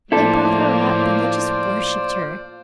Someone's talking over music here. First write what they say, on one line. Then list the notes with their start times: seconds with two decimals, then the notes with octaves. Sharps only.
They brought her up and they just worshipped her.
0.12 A2 F3 A#3 E4 F4 A4 C5 D5